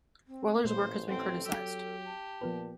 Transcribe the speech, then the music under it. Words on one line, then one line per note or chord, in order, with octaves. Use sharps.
Wehler's work has been criticized.
C4
A1 A#2 A#3 C5
C4 A4 F#5
F#3 G4 E6
A5
A#2 F3 B3 B4